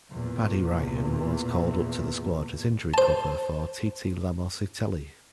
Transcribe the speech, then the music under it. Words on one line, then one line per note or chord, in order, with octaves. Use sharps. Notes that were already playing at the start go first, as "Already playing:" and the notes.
Paddy Ryan was called up to the squad as injury cover for Titi Lamositele.
E2 A#2
C5 A5